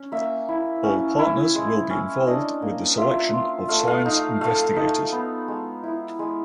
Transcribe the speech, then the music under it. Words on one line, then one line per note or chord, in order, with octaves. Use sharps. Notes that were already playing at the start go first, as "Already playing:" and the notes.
All partners will be involved with the selection of science investigators.
Already playing: C#4
A#3 E5
E4
C#4
E4
G#3
C#4
D4 D#5
A#3
F4 E5
F4
A3 F5
F5
D#4
A3 F5
D#4
B3
G#3
E4
G#3